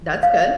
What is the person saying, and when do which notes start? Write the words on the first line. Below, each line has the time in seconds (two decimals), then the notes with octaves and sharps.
That's good.
0.23 F5